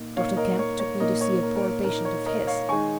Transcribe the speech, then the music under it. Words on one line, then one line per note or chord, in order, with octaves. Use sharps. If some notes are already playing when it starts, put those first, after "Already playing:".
"Dr. Kemp took me to see a poor patient of his."
Already playing: A#2 A#3 D#4
A#2 A#3 D#4 C#5 F5
A#4 D#5
C#5
C#5
A#2 A#3 D#4 A#4 D#5
C#5
A#4
A#4
C#5
A#2 A#3 D#4 A#4
C#5
A#4 D#5
C#5 F5
D#3 G#3 D#4 G#5 C#6